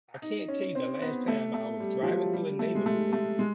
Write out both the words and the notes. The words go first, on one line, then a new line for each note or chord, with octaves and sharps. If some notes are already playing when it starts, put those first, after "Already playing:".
I can't tell you the last time I was driving through a neighborhood,
D#4
C#4
C4
B3
A3
A3
G3
F3
F#3
G3
A3
G#3
A3
A3
G#3